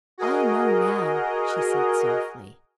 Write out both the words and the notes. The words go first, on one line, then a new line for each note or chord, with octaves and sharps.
"I know now," she said, softly.
F#4 G#4 A#4 D#5